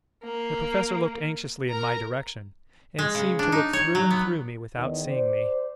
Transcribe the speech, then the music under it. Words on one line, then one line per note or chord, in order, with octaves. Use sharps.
The Professor looked anxiously in my direction, and seemed to look through and through me without seeing me.
A#3
A#4 A#5
G#3
C#3
D4
D#4
C#5
F#3
B3
E2 D#3
C5 D5